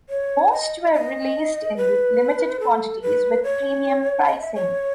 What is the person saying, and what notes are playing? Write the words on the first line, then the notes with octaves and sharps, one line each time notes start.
Most were released in limited quantities with premium pricing.
C#5
D#5
D#5
B4
A4
B4
C#5
D#5
E5
C#5